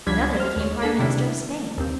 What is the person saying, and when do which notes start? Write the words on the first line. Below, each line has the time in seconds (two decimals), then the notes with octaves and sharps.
Another became Prime Minister of Spain.
0.06 C#2 F3 G3 D4 G#6 B6
0.37 C5 F6
0.56 D#2 C#5
0.82 D4 G#4 A4 B6
0.99 C3 D#3 G3 C#4 D4 E4
1.77 D#2 C4